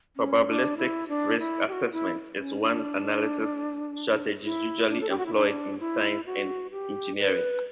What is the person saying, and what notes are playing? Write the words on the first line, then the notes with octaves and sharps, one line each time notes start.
Probabilistic risk assessment is one analysis strategy usually employed in science and engineering.
C#4
D4
E4
D4
E4
G4
F#4
E4
C#4
D4
E4
D4
A4
G4
F#4
E4
D4
E4
F#4
G4
B4